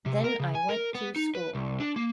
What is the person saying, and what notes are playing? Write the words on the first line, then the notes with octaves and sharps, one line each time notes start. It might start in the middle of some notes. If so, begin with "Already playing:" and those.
Then I went to school.
C3
A#4
C#3
G#5
A#4
B3
D#4
B4
C2
D4
A#3